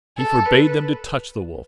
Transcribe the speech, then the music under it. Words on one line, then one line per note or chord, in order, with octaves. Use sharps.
He forbade them to touch the wolf.
A4
B4